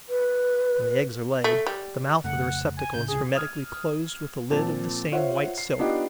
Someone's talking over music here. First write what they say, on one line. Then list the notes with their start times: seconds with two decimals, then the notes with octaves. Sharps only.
When the eggs are laid, the mouth of the receptacle is hermetically closed with a lid of the same white silk.
0.09 B4
1.44 A3
1.67 G3
2.24 F2 C#3 A3 F#5
2.77 G#5
2.94 G#1 A2 C#3 G6
3.08 D#1 C#2 C3 G#4
3.35 D#6 F6 G#6
4.51 A#2 F3 C4 A5
5.12 F4 C5 C#5 E5 F#5
5.58 C7
5.79 B3 D4 D#4 F4 G4